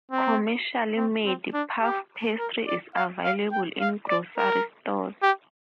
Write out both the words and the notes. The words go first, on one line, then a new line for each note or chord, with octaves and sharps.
Commercially made puff pastry is available in grocery stores.
C4
C4
C4
D4
G4
A#4
D5
F5
F5
G5
F5
D5
A#4
G4